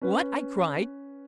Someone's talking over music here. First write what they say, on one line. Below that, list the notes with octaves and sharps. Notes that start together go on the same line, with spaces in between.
"What!" I cried.
C#4 B4